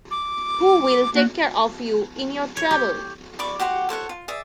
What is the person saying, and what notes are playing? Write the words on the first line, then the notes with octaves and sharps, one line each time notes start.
Who will take care of you in your trouble?
D6
A#3 F#4
C#5
G4
D5 B5 C#6 D6
F#4 G4 F#5 C6
A4 C5 C#5 F#5
F4
G#4 D5 E5